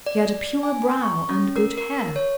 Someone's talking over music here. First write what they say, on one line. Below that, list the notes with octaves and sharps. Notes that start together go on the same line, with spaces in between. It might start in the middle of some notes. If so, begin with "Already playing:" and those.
She had a pure brow and good hair.
D5
G#5
C#6
C#4
A#4
A#4
C#5